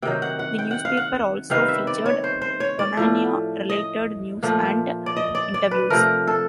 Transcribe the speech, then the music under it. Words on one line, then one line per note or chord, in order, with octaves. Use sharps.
The newspaper also featured Romania-related news and interviews.
C3 D#3 F#3 G5
F#5
F#5
G5
F#5
F5
F#5
C3 D#3 G3 B3 F5
E5
D5
C#5
C5
C5
C#5
D5
A2 F3 A3
D#5
A#2 F3 A3
D5
D#5
D5
D5
B4
C3 F3 A3 A#4
A4